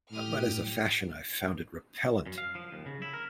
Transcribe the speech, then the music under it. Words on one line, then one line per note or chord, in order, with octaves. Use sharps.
But as a fashion I found it repellent.
A2 G4 D#6 F6
F#2
F5
F3
D#2
C#3
E4
A#4